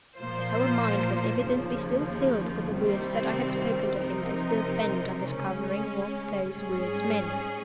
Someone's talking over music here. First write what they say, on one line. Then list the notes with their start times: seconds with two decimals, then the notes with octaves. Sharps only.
His whole mind was evidently still filled with the words that I had spoken to him, and still bent on discovering what those words meant.
0.18 A#2 F3 A#3 F4 C5
1.45 D#2 C#3 F3 A#3
2.72 C2 C3 D#3 G3 C4
3.99 C3 F3 C4 D#4 A#4
5.26 C#3 G#3 C#4
6.52 G#2 G3 C#4 G#4